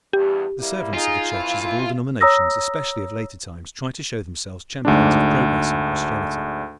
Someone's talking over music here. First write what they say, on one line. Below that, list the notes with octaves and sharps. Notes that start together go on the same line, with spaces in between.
The servants of the churches of all denominations, especially of later times, try to show themselves champions of progress in Christianity.
E2 G2 G4
G3 A#3 E4
D#4 F4 G#4
F2 E3 E4
C#5 A#5 D#6 E6 A#6
D2 G#2 D4